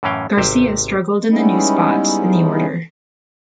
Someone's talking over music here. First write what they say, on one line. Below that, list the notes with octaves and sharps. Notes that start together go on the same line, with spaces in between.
Garcia struggled in the new spot in the order.
F#2 A2 E3 C#4 F5 G5
G#1 C3 G4 C5
G3 G#3 B3 C#4 D#4 E4